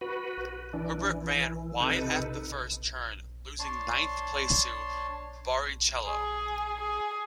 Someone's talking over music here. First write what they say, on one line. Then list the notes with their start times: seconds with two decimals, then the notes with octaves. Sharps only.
Herbert ran wide at the first turn, losing ninth place to Barrichello.
0.01 F#4 B4
0.73 E3 D4
0.98 E3
1.80 C3 D#4 A4 B4
3.60 D4 C#5 A5 C6
6.06 G#4
6.80 G#4